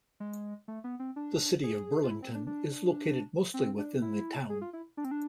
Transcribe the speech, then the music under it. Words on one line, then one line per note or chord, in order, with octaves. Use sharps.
The City of Burlington is located mostly within the town.
G#3
A3
B3
C4
D4
G#4
F4
E4
C4
D4
D4
C4
D4
E4
G#4
F4
E4
D4
C4
D4